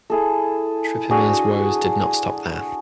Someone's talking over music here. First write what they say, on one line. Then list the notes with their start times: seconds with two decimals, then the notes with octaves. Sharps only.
Trpimir's woes did not stop there.
0.10 E4 G#4 A4
1.10 D4 F#4 G#4 G#5